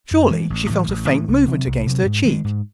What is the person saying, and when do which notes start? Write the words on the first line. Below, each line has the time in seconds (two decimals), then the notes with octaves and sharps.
Surely she felt a faint movement against her cheek?
0.11 F#2
0.31 E3 G#3
0.50 A1
0.70 A2 E3 A3
0.89 A1
1.08 A2 E3 A3
1.28 C2
1.47 C3 F#3 C4
1.67 C2
1.86 C3 F#3 C4
2.06 G#2
2.25 D#3 G#3
2.44 G#2